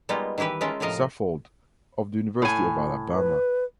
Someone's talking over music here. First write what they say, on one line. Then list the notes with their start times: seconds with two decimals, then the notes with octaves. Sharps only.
Saffold, of the University of Alabama.
0.09 G3 G#3 A#3 B3 D#4 F4
0.38 D#3 E3 E4 G4 B4
0.61 G#3 C#4 F4 A#4 E5 A5
0.80 A2 C3 F3 A#4 D#5 F5
2.42 A2 G#5
3.15 B4